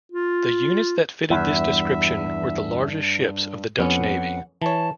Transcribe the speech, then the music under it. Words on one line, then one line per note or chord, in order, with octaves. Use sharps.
The units that fitted this description were the largest ships of the Dutch navy.
F4
E2 G2 E5
F2 B3 C#4 F#5
E3 C#5 A5